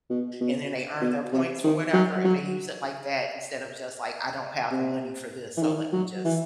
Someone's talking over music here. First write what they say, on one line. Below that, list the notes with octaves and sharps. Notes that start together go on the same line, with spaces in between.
and then they earn their points for whatever and they use it like that instead of just, like, "I don't have the money for this, so let me just,
B2
B2
B2
C3
D#3
F#3
F#3
C3
E3
D#3
F#3
E3